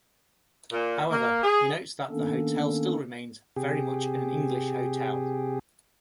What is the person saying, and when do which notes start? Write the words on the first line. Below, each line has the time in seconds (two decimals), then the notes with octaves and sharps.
However, he notes that the hotel still remains "very much an English hotel".
0.72 A#2
1.11 A#3
1.44 G#4
2.10 D#3 A#3 B3 C#4 D4 A4
3.56 C3 G4 G#4